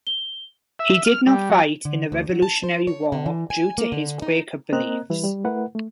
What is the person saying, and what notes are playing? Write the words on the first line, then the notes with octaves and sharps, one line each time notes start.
He did not fight in the Revolutionary War due to his Quaker beliefs.
G7
E5
F6
G3
F#3
D3
D2
F#3
A5
C5
C#5
D3
E3
G#5
A#3
D3
D#4
A#3 C4 A#4 D#5 A#5 F#6
E3 G3 E4 B4
G3
A3 E4 A#4 B4 F#5
A3